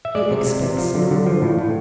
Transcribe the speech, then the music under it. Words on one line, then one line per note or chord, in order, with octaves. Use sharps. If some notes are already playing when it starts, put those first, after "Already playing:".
"He expects no more."
E5
G#3 D5
C3
C3
C3
F3
D3
D3
F3
A2
A2